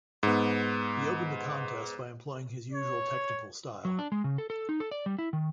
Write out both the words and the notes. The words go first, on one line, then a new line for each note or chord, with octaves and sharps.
He opened the contest by employing his usual technical style.
G#2 B3
C#5
F#3
D4
G#3
C#3
A4
A4
D#4
A4
D5
G3
E4
D#3